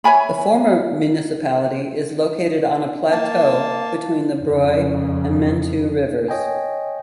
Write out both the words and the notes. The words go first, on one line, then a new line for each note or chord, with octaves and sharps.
The former municipality is located on a plateau between the Broye and Mentue rivers.
C#5 E5 G#5 B5
A#3 A5
F2 C#3
C#5 D#5 G5 G#5